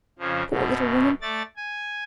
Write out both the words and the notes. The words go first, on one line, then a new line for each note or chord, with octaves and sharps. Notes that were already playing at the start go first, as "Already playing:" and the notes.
Poor little woman!
F2 C#3 F3
F#2 B2
A3 D5 A6
G#5